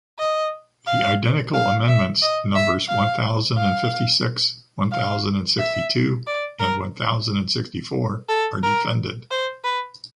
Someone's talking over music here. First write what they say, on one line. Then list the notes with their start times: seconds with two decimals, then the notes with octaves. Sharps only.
The identical amendments numbers one thousand and fifty-six, one thousand and sixty-two and one thousand and sixty-four are defended.
0.19 D#5
0.87 F5
1.54 F5
1.88 E5
2.22 D#5
2.55 E5
2.89 F5
3.57 F5
4.92 F5
5.58 E5
6.27 D5
6.60 A#4
8.29 A4
8.63 A#4
9.31 C5
9.64 B4